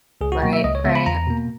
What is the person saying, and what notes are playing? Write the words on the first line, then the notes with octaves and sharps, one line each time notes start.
Right, right.
C#2 G#4
F#4
B2 F#3 A#3 F#4
E5
C#2 D#5
C#5
C#3 G#3 B3 E5
B5
E2 A#5
B2 A#3